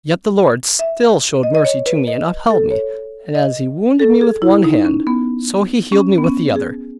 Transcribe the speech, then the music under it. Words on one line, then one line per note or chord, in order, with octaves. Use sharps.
Yet the Lord still showed mercy to me, and upheld me; and as He wounded me with one hand, so he healed me with the other.
E5
D#5
D#5
C#5
B4
D#5
A4
C#5
D#5
A4
G#4
E4
D#4
C#4
B3
C#4
B3
C#4
G#4